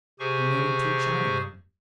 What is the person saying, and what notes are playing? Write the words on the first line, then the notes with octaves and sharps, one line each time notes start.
He noted two Chinamen.
C3 G4 G#4 C5 G#5 C#6